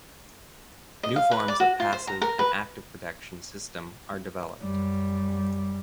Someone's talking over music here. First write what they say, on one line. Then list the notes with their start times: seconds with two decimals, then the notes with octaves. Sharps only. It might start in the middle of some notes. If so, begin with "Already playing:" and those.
New forms of passive and Active protection system are developed.
1.03 D#5
1.16 F5
1.31 B4
1.48 D5
1.60 F#4
1.80 F4
1.93 C5
2.07 A#5
2.22 A#4
2.39 B4
4.60 F#2 G3